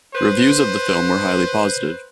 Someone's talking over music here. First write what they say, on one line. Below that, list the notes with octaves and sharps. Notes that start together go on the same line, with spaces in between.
Reviews of the film were highly positive.
B4 C5